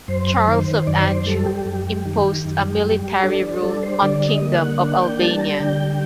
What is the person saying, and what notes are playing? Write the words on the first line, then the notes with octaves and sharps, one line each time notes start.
Charles of Anjou imposed a military rule on Kingdom of Albania.
F#2 C5
D#3
C5
F#2 D5
C5
G3 A4
G4
F#2
D#3
F#2
G3
D4 A4
G3 A4
C5
D3 D5
D#5
A#3
F#5
D4 F#5
G5
G3 A5
A#5
D3 G5